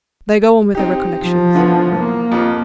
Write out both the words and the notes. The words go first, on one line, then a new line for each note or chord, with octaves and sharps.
They go on with their recollections.
C4 D#4 G4
F3
D3 E3 B3
A#3
F2 F3